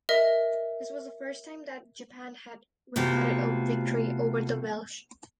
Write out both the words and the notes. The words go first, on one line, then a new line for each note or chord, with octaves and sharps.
This was the first time that Japan had recorded a victory over the Welsh.
A#4 D#5 E5
C3 A3 B3 F4 F#4